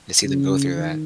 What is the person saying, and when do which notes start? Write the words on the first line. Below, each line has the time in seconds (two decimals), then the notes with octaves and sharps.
And to see them go through that.
0.23 C#3
0.75 D#3